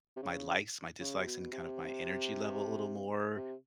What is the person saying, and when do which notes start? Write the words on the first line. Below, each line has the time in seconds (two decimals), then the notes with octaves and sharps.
my likes, my dislikes, and kind of my energy level a little more.
0.16 C3
0.22 C#3
1.00 C#3
1.20 C3
1.26 B2
1.52 C3
3.36 C3